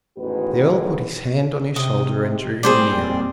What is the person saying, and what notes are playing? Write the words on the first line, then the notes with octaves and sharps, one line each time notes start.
The Earl put his hand on his shoulder and drew him nearer.
A1 E2 G#2 D#3 F#4 B4
C3 D#5
A#2 G3 C4 G#4 C5 D5